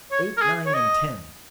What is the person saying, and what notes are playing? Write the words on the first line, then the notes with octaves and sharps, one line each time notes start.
Eight, Nine and Ten.
C#5
A#4
G#4
C#5
D#5